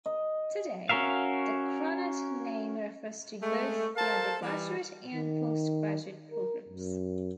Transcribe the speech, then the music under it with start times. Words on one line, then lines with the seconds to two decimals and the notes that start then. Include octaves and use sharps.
Today, the Krannert name refers to both the undergraduate and post-graduate programs.
0.06 D#5
0.89 C#4 F#4 A#4 E5 F5
3.42 G#3 A3
3.97 A4 A#4 C5 F5 A5
4.42 E3 G3
5.13 D#3
6.32 A#4
6.69 F#2